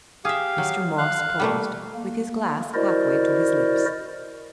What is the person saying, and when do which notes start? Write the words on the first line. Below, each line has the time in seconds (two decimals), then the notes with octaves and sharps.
Mr. Moss paused, with his glass halfway to his lips.
0.25 G4 G#4 E5 F5
0.58 F#3
0.98 F5 F#6
1.40 G3 A3 A#3
1.95 A#3
2.74 E4 F#4 A#4 C5 D5 D#5